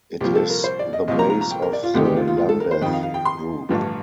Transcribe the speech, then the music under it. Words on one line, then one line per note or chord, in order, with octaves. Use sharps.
It is the base of the Lambeth Group.
C2 A#2 F3 G4
A4
A#4
C5
D5
D#5
C2 A#2 F3 D#5
A#5
A#5
A#5
G5
A#4
D5
F4
D2 C3 D#3 G4
G4
F4
F4
F4
A4
A#4
C5
F2 D#3 G5
F5
F5
G5
C6
A1 G2 D3 F3